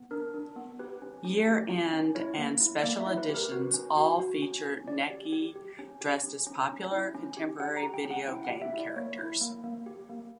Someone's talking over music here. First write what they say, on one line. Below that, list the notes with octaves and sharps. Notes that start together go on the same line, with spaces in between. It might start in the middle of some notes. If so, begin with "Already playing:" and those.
Year-end and special editions all feature Necky dressed as popular contemporary video game characters.
Already playing: B3
D4 A#4
D4
B3
G4 B4
C#4
C#4
G4
C#4
C#4
E4 C#5
A#3
E4
A#3 D5
E5
E4
B4
G4 A#4
F#4 B4
C#4
F#4
F#4
C#4
C#4
C#4 D5
G4
G4
G4
C#4
G4
C#4
C#4
C#4
E4
C#4
G4
G4 F#5
A#5
G4
G5
C#4
F#5
E4 G5
F#5
G4
E5
E4
D5
A#3 C#5
E4
A#3
A#3
G4
A#3